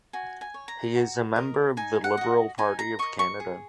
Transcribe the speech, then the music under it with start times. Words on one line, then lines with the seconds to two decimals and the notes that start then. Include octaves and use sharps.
He is a member of the Liberal Party of Canada.
0.13 F#4 G#5
0.41 G#5
0.54 C#5
0.68 A#5
0.95 F#4
1.36 A#4 D#5
1.77 D#4 G#5
2.04 F#5
2.17 F#4 D#5
2.58 D#4 G#5
2.79 A#5
2.99 A#4 D#5 C#6
3.19 C#6
3.40 G#4